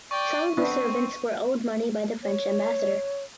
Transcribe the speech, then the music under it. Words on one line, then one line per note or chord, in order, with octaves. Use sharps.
Some of the servants were owed money by the French ambassador.
D5 G5 C#6
B3 C4 D4
C#5